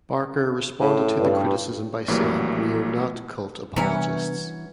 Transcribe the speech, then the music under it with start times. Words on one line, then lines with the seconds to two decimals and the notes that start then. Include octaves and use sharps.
Barker responded to the criticism by saying, We are not cult apologists.
0.80 A2
1.19 G2
2.08 A#1 A2 E3 F#3 G3 A#3
3.76 C3 E3 F#3 G3 B3 C#4 D4 E5